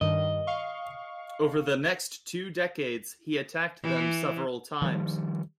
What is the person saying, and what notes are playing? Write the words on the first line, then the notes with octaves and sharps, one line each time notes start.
Over the next two decades, he attacked them several times.
G2 D#3 D#5
F5 C#6
E3
D#3 F3 G3